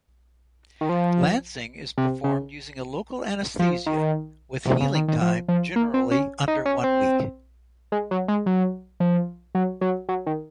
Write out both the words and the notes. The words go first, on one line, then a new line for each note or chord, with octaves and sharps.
Lancing is performed using a local anesthesia, with healing time generally under one week.
D#3
F3
C3
C#3
F3
D#3
C3
C#3
D#3
D#3
F3
F3
A#3
C4
C#4
D#4
C#4
C4
G#3
F#3
G#3
F#3
F3
F#3
F#3
F#3
D#3